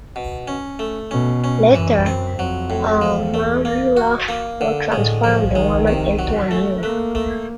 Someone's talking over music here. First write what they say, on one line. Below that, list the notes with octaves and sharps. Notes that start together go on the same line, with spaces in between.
Later, Almamula would transform the woman into a mule.
B2
C#4
A3
B2 C#4
C#4
F#2 E3
C4
F2 F#3
A2
E2 F3
A3
A#3
F#4
A#3
D3
A2 G#3
F3
D#3 G#3
C3
F#3
A3
A3 A#3
A3